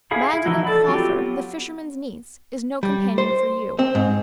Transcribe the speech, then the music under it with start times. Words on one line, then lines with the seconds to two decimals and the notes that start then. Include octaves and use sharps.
Magdalen Crawford, the fisherman's niece, is no companion for you.
0.11 E4 G#4 F5 B5
0.33 E4
0.45 E3 F3 D#4 E4 F#4
0.64 A4 D5 B5
0.88 F#3 C4 F4 G4
1.18 B3
2.83 G3
3.18 C5
3.79 C4
3.95 G#2